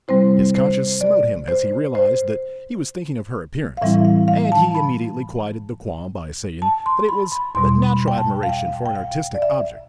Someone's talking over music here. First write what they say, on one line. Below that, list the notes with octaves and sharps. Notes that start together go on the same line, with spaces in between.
His conscience smote him as he realized that he was thinking of her appearance, and he immediately quieted the qualm by saying that it was but natural admiration for an artistic object.
C3 G3 C4 E4 C5
C5
D5
C5
C5
F5
A2 E3 G3 C4 E4 E5
F5
F5
A5
B5
A5
C6
B5
B5
E2 B2 G3 C6
B5
G5
A5
F5
G5
G5
F5
D5
E5